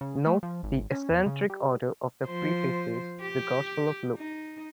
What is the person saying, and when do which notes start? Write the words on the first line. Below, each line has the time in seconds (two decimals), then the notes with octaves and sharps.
Note the eccentric order of the prefaces to the Gospel of Luke.
0.01 C#3
0.26 A3
0.43 F3
0.63 G#1
0.92 C#4
1.10 E2
1.26 C#3
1.50 G3
2.27 F3 C5
3.21 G4
4.17 D#4